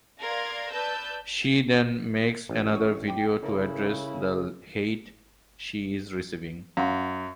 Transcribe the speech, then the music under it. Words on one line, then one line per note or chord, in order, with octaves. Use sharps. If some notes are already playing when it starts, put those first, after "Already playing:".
She then makes another video to address the hate she is receiving.
A#4 D5 F5 C6 G#6 A#6
B4 D5 A5 E6 G6
A1
G#4 C#5
G5 B5 D6
C#3 C#4 E4 A4 A#4
F#2 F5 F#5 C6